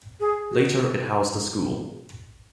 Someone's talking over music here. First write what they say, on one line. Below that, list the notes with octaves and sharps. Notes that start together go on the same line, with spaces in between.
Later it housed a school.
G#4
F#4